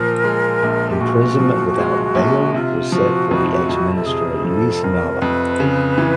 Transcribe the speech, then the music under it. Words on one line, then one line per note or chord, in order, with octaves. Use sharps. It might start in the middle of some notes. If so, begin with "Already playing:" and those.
Imprisonment without bail was set for the ex Minister Luis Nava.
Already playing: A#2 F3 A#4
G#3
A#1
G4
A#2 F#4
F3
G#3
A#1
C3 F4
F3 F#4
F2
F2
A4
C3 G#4
F3 A4
F2 A#4
F2 B4
C#3
E3